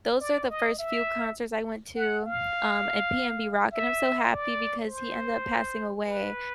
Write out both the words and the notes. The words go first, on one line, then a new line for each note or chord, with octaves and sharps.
those are the first few concerts I went to, um, and PnB Rock, and I'm so happy because he ended up passing away.
D5
D#5
E5
F#5
F5
E5
D5
C5
B4